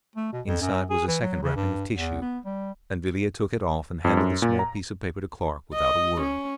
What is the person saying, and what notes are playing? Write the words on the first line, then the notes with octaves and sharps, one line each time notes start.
Inside was a second wrapping of tissue, and Villiers took it off and handed the small piece of paper to Clarke without a word.
A3
B2
F2
F#2
G#4
E3
F#3
C#3
G2
E2
B3
G3
F2
F#2
A#2
A#5
D#5
C#4